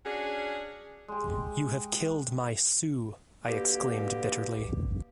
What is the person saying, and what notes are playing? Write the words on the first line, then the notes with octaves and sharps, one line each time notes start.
'You have killed my Sue,' I exclaimed bitterly.
C#4 D4 F#4 G#4
G#3 G4
B2 D3 A#3 G4